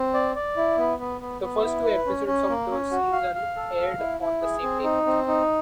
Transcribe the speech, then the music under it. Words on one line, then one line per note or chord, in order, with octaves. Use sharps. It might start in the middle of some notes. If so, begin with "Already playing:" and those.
The first two episodes of the season aired on the same day.
Already playing: C4
D5
D5
E4
B3
B3
B3
B3
E4
B4
C#4
C#4
A#3
C#4
F#4
F5
F5
A4
F5
E4
E4
G#4
C4
D#4
C4
D#4